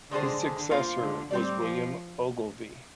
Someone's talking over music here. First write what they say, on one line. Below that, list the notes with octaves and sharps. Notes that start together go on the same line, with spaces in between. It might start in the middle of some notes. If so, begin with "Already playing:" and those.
His successor was William Ogilvie.
D3 D#3 G#3 D4 G#4 C5
D3
A#3 F4 C5 F5
D3
G3 C4 G4 D5
F3